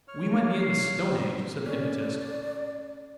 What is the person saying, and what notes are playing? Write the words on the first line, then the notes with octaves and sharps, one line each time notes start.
"We might be in the Stone Age," said the hypnotist.
C#5 F6
C7
C#4 D5